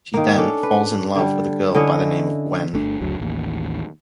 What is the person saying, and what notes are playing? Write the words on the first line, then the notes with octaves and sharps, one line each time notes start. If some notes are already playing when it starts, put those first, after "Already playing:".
She then "falls in love" with a girl by the name of Gwen.
D#3 A#3
C#4 D4 A4
B4
D3 G3
D3 C#4 E4 D#5
G1 A3 D4
F#1 D2 D3 F#3
A1 D#2